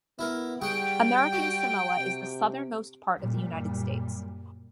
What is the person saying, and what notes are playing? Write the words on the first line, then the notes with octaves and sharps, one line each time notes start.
American Samoa is the southernmost part of the United States.
B3 E4 A#4
G3 G#4 F#5 G5 C#6
F#4
C3
F#2 A#2 G3